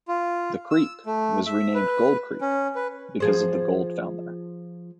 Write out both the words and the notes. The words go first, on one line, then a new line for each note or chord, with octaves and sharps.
The creek was renamed "Gold Creek" because of the gold found there.
F4
E6
A3
E5
B4
C#4
B4
F3 G#4 C5